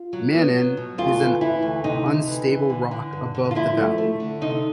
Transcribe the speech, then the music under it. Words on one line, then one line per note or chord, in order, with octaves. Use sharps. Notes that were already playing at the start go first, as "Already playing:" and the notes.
"Mannen" is an unstable rock above the valley.
Already playing: F4
F#3
B3
F#3
B2
D2 F4
E3
E3 E4
D2
C3 D#4
D2
E3
E3
D3
D3
G2
D3
F4
F3 E4
A3
A3
D3
C3 D#4